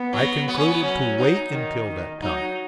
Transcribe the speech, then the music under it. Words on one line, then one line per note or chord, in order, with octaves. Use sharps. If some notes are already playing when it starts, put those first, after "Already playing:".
I concluded to wait until that time.
Already playing: B3
F#3
B3
C#4
B3
F#3 C#4
D#4
D#3
D#3
F#3 D#4